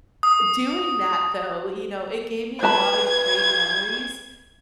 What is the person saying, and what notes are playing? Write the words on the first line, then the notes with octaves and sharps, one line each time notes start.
doing that though, you know, it gave me a lotta great memories
D#6
B4 A5 B5 G#6